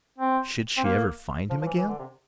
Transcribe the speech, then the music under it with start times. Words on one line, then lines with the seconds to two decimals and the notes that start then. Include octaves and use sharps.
Should she ever find him again?
0.18 C4
0.77 C4
0.84 A#3
1.50 F3
1.61 F3
1.66 E3
1.77 E3
1.88 D3
1.99 C3